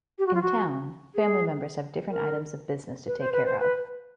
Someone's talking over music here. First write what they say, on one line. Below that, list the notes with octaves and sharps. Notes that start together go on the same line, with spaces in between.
In town, family members have different items of business to take care of.
G4
F#4
F4
F#4
G#4
A#4
B4
C5
B4
C5
B4